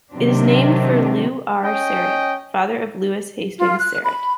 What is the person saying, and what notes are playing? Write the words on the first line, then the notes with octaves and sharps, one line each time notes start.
It is named for Lew R. Sarett, father of Lewis Hastings Sarett.
C3 D#3 F#3 C4 D4
C#4 D#5 G5
F4
F#6
B5